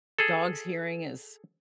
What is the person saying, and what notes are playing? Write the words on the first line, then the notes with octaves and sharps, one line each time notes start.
dog's hearing is
G#4 A4